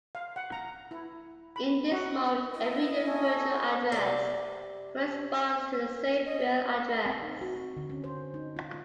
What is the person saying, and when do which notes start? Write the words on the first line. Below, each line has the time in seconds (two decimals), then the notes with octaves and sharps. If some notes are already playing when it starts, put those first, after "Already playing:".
In this mode every virtual address corresponds to the same real address.
0.15 F5
0.36 F#5
0.52 A#5
0.91 E4
1.56 B5
1.91 F#4
2.54 E4 D#5
3.07 C#4 A4 C#5
3.92 C3 D5
6.26 D#5
7.06 C4
7.23 D#4
7.41 F#4
7.77 D3
7.90 C#4
8.04 C5
8.34 D#4
8.57 F4